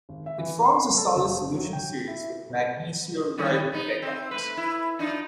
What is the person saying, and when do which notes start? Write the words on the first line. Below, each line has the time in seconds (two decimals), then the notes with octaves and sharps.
It forms a solid solution series with magnesioriebeckite.
0.09 G#1
0.26 E5
0.39 E3
0.65 C6
0.97 A4
1.16 F#1
1.55 F#3
1.73 G5
2.08 E4
3.38 D#3 G3 B3
3.72 B3 D#4
4.02 C4 C5
4.31 A3 B4
4.57 E4
4.99 D4 D#4 F4